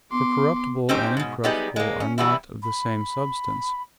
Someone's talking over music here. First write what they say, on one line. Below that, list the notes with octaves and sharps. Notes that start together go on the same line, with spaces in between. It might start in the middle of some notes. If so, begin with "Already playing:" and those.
For corruptible and incorruptible are not of the same substance.
B3 C6 D6
C4 C#4 D#4 G4 C5
G#2 B2
F#3 G3 B3 D#4 G4 G#4
G#3 A#3
C#4
E3 G3 B3 E4
B5